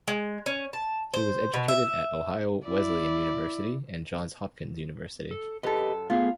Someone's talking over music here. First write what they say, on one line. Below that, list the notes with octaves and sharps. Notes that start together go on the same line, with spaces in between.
He was educated at Ohio Wesleyan University and Johns Hopkins University.
G#3
C#4
A5
C5
B2
E5
E4 D5
A4
F#2 G4 A4 B4 D#5
A3 B3 F4 G#4